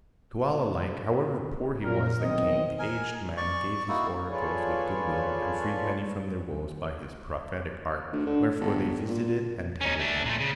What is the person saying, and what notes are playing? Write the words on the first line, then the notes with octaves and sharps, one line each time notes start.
To all alike, however poor he was that came, the aged man gave his oracles with good will, and freed many from their woes by his prophetic art; wherefore they visited and tended him.
A#2 A#4
B1 D#3 C4 D#5
A#4 G#5
D5 C#6
A#3 D#4 E4 F#4
F4 G#4 A4 B4 C#5 D5
D2
D3
G1
A#2
C#4 D#4
A3 D4
A#2 A3
C#3